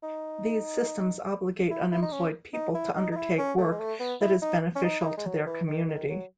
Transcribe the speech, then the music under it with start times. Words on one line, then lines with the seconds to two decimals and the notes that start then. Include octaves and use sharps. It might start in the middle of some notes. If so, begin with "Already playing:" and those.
These systems obligate unemployed people to undertake work that is beneficial to their community.
0.03 D#4
1.70 E4
1.91 E4
2.02 D#4
2.12 C#4
2.53 D#4
2.75 E4
2.95 D#4
3.12 D#4
3.17 E4
3.38 C#4
3.58 A3
3.72 G#3
3.79 A3
4.00 B3
4.21 E4
4.42 D#4
4.75 C#4
4.83 D#4
5.01 E4
5.04 D#4
5.17 G#3
5.26 F#3
5.46 E3
5.67 D#3
5.88 D#3
6.09 F#3